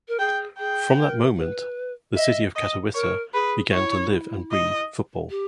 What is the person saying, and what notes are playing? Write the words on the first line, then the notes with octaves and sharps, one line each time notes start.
From that moment the city of Katowice began to live and breathe football.
A#4
G#4 G5
G#4 G5
A#4
B4
D#5 E5
D#5
A#4 C#5
G#4 B4
E4 C#5
D#5
G4